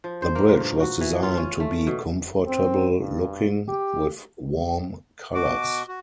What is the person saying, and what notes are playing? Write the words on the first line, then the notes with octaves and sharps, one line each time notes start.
The bridge was designed to be comfortable-looking, with warm colors.
F3
C5
A#3
A#2
G2
F#4
E3
F4
C#4
A3
B2
C4
G2
G4
B2 F#4 D6
F#4